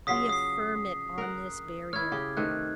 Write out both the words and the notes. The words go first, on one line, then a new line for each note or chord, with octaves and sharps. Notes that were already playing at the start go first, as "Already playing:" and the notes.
We affirm it on this barrier.
C#3 F#3 F4 D#6 B6 C7
D#6 C7
A#4 F#5
E4 C#5 F6 G#6
C#3 G4
C3 D#3 A3 F#6